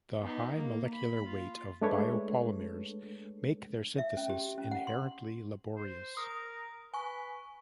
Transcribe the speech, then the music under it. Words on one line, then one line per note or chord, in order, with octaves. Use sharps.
The high molecular weight of biopolymers make their synthesis inherently laborious.
B3 D#4
A#3
B5
F4
G#3 A3 D4 A4 B4 C#5
E5
C#4
G4
C#4
F#5
C6
C5
A#4 D#6
B4 G#5 C#6